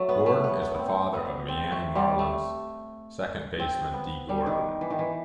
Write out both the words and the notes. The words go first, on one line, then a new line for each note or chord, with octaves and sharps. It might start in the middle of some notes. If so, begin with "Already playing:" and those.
Gordon is the father of Miami Marlins second baseman Dee Gordon.
Already playing: F#3 A3
B3
A3
B3
B3
C4
B3
C4
A3
G3
A3
C4
B3
G3
D#3
E3
D#3
E3